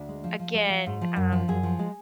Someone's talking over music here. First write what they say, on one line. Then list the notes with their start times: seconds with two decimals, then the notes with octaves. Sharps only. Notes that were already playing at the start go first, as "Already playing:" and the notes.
again, um,
Already playing: D2 D4
0.08 G#3
0.24 F3
0.39 F3
0.54 G#3
0.70 F3
0.86 G#2
1.01 F3
1.16 F#2
1.32 F3
1.48 F#2 G#4
1.63 F3
1.79 G#3